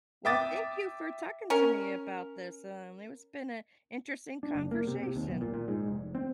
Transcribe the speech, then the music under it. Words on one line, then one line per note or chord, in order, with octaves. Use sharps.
Well, thank you for talking to me about this, um, it was been a interesting conversation.
E5 G5 D6 D#6 A6
C#4 A#4
D4
F#1
A#3
C3
C3
D#2
B1
A#2
A#2
G#2
F1
C4